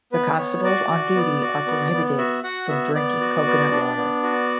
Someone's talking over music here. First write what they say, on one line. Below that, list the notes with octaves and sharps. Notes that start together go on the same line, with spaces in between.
The constables on duty are prohibited from drinking coconut water.
B3 B4
B3 C#5
F#4 D5
F#4
B3
F#4
B3
B3
F#4 E5
F#4 F#5
B3 E5
B3 D5
F#4
B3
D4
B3
F#4